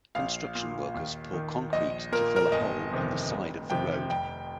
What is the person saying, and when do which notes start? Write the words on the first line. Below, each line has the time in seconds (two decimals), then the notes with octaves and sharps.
Construction workers pour concrete to fill a hole on the side of the road.
0.15 A#1 F5
0.55 A#2
0.94 D#2
1.34 D#3
1.73 A#1 D#5
2.12 A#2 A#4
2.36 A#4
2.52 G1 D#5
2.91 F2 C3 D#3
3.31 F1
3.70 F2 C3 D#3 G5
4.10 F1 G5